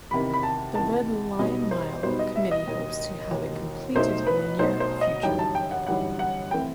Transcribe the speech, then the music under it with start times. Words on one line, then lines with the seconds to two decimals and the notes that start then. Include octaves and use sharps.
The Red Lion Mile committee hopes to have it completed in the near future.
0.11 E2 C3 D#3 B5
0.34 B5
0.43 A5
0.75 E2 C3 D#3 A5
1.39 B1 B2 G3 B3 D#4 D#5
1.71 C5
2.03 B1 B2 G3 B3 D#4 C5
2.19 D#5
2.36 E5
2.51 D#5
2.67 E1 D#2 D#3
3.31 E1 D#2 D#3
3.95 B1 B2 A3 D#4 C5
4.27 B4
4.59 B1 B2 A3 D#4 C5
4.80 C5
5.01 D#5
5.23 G1 F#2 E3 G3 D#4 G5
5.39 A5
5.55 G5
5.71 F#5
5.87 G1 F#2 E3 G3 D#4 F#5
6.19 F#5
6.51 E3 A3 C4 G5